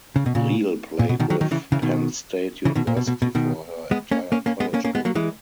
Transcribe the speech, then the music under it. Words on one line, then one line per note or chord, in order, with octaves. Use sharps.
Riehl played with Penn State University for her entire college career.
C#3
B2
A#2 C#3
A#2
B2
B2 D#3
D#3 F#3
D#3 F#3
C#3 E3
C#3 E3
B2 D#3
C#3 E3
B2 D#3
A#2
B2
B2
B2
B2 D#3
G#3 B3
A#3 C#4
A#3 C#4
A#3 C#4
G#3 B3
A#3 C#4
A#3 C#4
G#3 B3
F#3 A#3
E3 G#3